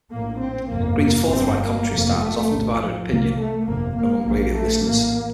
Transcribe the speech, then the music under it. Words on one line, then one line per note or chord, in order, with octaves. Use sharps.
Green's forthright commentary style has often divided opinion among radio listeners.
A#1 A2 A#3
C4
G1 F2 C3 A#3
A#3
G1 G2 C4
A#3
F1 F2 C3
A3
A2
A#1
F3
C2 C3 A#3
A3
G1 F2 C3 A#3
A#3
A#1 A#2 A#3
A3
A1 A2 A#3